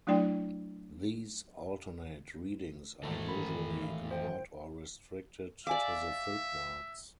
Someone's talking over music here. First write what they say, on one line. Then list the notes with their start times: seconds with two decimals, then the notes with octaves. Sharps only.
These alternate readings are usually ignored or restricted to the footnotes.
0.07 F#3 A3 D4 E4 D5 G5
3.03 G#1 D#3 E3 A3 A4
3.29 A#4 B5
3.47 E4
3.79 D5 E5 F5
4.11 C5 G5
5.67 G#4 D5 E5 F5 G#5 D6